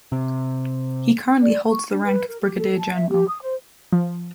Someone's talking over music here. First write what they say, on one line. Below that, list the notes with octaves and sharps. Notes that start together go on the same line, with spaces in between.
He currently holds the rank of Brigadier-General.
C3
D5
C#6
D4
B4
A#4
G4
A4
A5
E5
G4
D#6
C5
F3